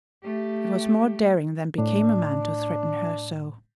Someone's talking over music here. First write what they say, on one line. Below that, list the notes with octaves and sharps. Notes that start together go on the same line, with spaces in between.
It was more daring than became a man to threaten her so.
A3 G4
A2 D4